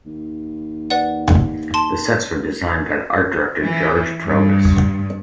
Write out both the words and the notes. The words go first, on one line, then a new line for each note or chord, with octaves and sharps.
The sets were designed by the art director George Provis.
D#2
B4 D5 F#5
A5 C6
E3
G2